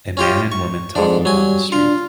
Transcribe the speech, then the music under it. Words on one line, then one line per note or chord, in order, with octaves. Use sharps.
A man and woman talking on the street.
C#4 F4 G4
C#6
F2 G#2 D4
F#3 G3 G#5
D4 F4